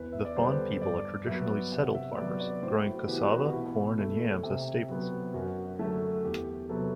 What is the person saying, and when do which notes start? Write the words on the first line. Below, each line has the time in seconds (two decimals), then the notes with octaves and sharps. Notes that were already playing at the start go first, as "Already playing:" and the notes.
The Fon people are traditionally settled farmers, growing cassava, corn and yams as staples.
Already playing: E2 B4
0.12 E5
0.25 D5
0.36 D3 G3 B3 C5
0.81 G2 D5
1.27 F#3 B3 E5
1.72 C3 F#5
1.95 E5
2.17 B3 D5
2.21 F#3
2.40 D5
2.63 A2 C5
2.76 E4
2.85 F#4
3.02 F#4
3.08 E3 B3 G4
3.30 F#4
3.53 B2 E4
3.98 A3
4.43 C3
4.89 F#3 B3
5.34 F#2 F#4
5.79 D3 F#3 A3 A4
6.24 E2 G4
6.69 C3 F#3 B3 A4